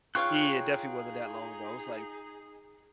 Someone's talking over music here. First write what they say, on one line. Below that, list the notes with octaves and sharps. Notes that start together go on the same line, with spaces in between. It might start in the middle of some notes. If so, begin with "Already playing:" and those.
Yeah, it definitely wasn't that long ago, it was like
D#4 F4 G#4 C#5 F5 G5 C#6 F#6